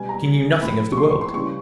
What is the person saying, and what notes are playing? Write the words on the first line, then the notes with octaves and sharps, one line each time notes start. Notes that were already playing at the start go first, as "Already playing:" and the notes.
She knew nothing of the world.
Already playing: B2 G3 G#5
A#5
A2 F3 A3 B5
C#6
C6
C#6
C6
C#3 E3 G3 C#6